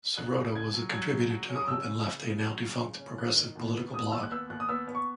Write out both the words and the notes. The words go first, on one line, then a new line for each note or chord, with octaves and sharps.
Sirota was a contributor to OpenLeft, a now-defunct progressive political blog.
C#3 F#6
C#3
C#3 G#6
F#3
F#3 G#6
C#3
F#3
C#4
D#6
C#3 E6
C#3
C#3
C#3
F#3
C#3
C#3
C#4
D#3 F#6
D#3
D#2
B3
D#2 D#6
D#2 E6
F#6
B3 E6
D#2 F#6
D#6
B3 E6
B3
C#6